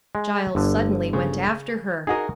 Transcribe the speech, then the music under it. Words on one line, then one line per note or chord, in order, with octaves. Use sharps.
Giles suddenly went after her.
G#3
G1 D3
C#3
D#4 F#4 G#4 A#4 D#5